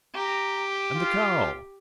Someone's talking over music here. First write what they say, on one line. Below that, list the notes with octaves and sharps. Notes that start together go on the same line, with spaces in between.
"And the cow?"
G4 A#5
F4